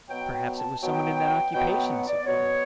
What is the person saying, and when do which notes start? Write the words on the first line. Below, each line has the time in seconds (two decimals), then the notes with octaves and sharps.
"Perhaps it was some one in that occupation," said Cromwell.
0.09 B2 F#3 B3 G5
0.33 G5
0.57 A5
0.82 B2 F#3 B3 G5
1.53 B2 F#3 B3 G5
1.72 G5
1.90 F#5
2.08 D5
2.26 B2 F#3 B3 C#5